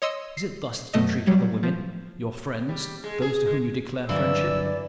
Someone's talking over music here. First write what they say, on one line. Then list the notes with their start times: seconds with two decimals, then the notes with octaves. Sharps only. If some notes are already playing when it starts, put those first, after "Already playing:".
Is it thus that you treat other women--your friends, those to whom you declare friendship?
0.02 C#5 D#5 C6 E6 C#7
0.37 C7
0.94 F#2 B2 A3 D#5
1.27 F#3 G3
1.63 F3
2.69 G3
3.04 G#3
3.22 G#4
3.46 G#3
4.09 G2 D3 E3 F#3 A#3 E4 D5 E6